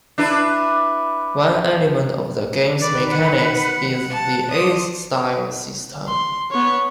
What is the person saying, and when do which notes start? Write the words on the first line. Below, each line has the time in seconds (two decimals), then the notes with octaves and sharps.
One element of the game's mechanics is the Ace Style system.
0.18 D4 E4 B4
2.81 D#3 B4 D5
3.12 F#5
4.10 A5
4.51 D5 C6 D#6
6.07 C6
6.51 B3 C#5